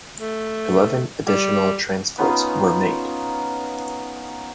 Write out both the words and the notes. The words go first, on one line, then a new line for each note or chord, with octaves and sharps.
Eleven additional transports were made.
A3
G3
B3 C#4 D#4 F4